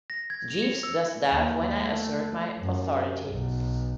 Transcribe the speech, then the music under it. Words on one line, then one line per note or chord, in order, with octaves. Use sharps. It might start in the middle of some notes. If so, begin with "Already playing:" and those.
Jeeves does that when I assert my authority.
A#6
G#6
F7
C#7
E6
D#2
A3
F#2
B1